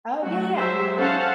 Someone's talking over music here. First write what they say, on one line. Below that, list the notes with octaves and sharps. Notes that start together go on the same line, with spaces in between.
Oh, yeah, yeah. Uh-huh.
F#3 A3 F#4
F#3 G#3 G4 C5 E5
C#4 A4 C5 F5 F#5 A5